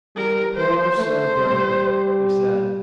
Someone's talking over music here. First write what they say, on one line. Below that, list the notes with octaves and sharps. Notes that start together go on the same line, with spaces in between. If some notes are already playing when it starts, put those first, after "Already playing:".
"Poor Sir Bernard," he said.
G3 A#4
C5
A3 C5
G3